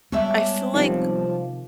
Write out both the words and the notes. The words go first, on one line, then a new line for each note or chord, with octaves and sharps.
I feel like
G3 G#3 B3 C#4 D4 E5
C3 D#3 F3